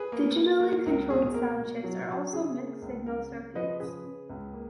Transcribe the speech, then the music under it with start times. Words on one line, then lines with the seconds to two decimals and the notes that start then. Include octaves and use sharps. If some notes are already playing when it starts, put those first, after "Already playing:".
Digitally controlled sound chips are also mixed-signal circuits.
Already playing: G#4 B4
0.12 A#3
0.36 A#3
0.61 A#3
0.86 C#2 A#4
1.10 B2 G#4
1.34 A#3 A#4
1.59 B2
1.83 F#3
2.09 F#3
2.33 C#3 G#4
2.57 A#3
2.82 C#2
3.06 C#3 A#4
3.31 C#3
3.55 F3 B4 D#5
3.80 C#3 G#4 B4
4.04 C#3
4.30 C#2
4.53 A#3